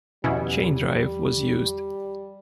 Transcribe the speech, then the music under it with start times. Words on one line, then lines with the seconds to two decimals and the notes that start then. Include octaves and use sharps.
Chain drive was used.
0.24 E2 B2 D#3 F3 G3 C#4 E4